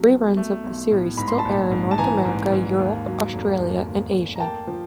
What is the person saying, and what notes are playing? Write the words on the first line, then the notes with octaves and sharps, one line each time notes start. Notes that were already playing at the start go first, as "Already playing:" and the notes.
Re-runs of the series still air in North America, Europe, Australia and Asia.
Already playing: B1 F#3
B1
A3
B1
A2
G#2 B5
C6
A5 B5
A#1
G#2
A5
E3 G#5 A#5
G#2
G#2
D#2
F#3
F1
F1
D#2
F1
A#5
A#3 G5 A5
F3